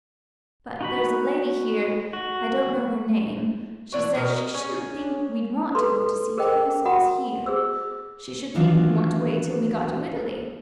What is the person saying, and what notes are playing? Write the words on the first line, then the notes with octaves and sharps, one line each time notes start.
But there's a lady here--I don't know her name--she says she shouldn't think we'd want to go to see castles HERE; she should think we'd want to wait till we got to Italy.
D#4 F#4 B5
F#4
E3 D4 C#5
B2 A#4
C#4 G#4 C#5
A4 B4 C6
G#4 A#4 C5 D#5 G5
F#4 F#5 B5 D#6
G#4 C5 E6
D#3 E3 F#3 B3 D4 F4